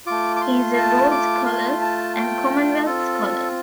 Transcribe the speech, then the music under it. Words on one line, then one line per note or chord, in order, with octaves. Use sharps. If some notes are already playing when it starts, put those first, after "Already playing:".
He is a Rhodes Scholar and Commonwealth Scholar.
A3 F4 D6
D6
C6
A5
D6
C6
A5
G5
C4 F4 A4